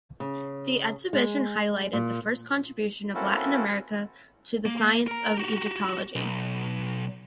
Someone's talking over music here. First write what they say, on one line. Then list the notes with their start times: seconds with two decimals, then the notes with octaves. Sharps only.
The exhibition highlighted the first contribution of Latin America to the science of Egyptology.
0.20 C#3
1.13 G#3
1.93 A#2
3.15 A#3 C4 C#4 E4 F#4 A4
4.65 A#3
5.08 A#4 A#5
5.38 F#4 G4
6.15 B1